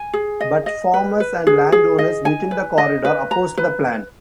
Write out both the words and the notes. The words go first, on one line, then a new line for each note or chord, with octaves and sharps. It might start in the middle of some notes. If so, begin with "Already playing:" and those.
But farmers and landowners within the corridor opposed the plan.
Already playing: G#5
G#4
D#5
D#5
B4
B4
G#4
G#4
D#5
G#5
B4
D#5
B4
A#5
B4